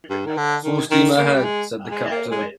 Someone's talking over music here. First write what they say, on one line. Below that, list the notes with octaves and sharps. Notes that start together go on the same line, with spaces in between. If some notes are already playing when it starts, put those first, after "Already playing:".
"Full steam ahead," said the captain.
G2
D#3
D3
D#3
D#3
A#3
G3
G#3
G#3
A#3
G#3